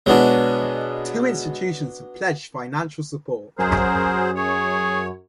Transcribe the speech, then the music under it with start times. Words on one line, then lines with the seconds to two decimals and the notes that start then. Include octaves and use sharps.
Two institutions have pledged financial support.
0.06 B2 F#3 G#3 B3 D4
3.59 F#2 F#3 G#4 A#4 C5
4.35 G#4 C#5